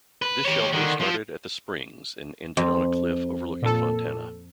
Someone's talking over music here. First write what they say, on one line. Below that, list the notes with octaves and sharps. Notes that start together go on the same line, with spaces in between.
This shelter started at the Springs and ended on a cliff overlooking Fontana.
B4
G4 C#5
D3 D#3
F3
F2
A#2 A4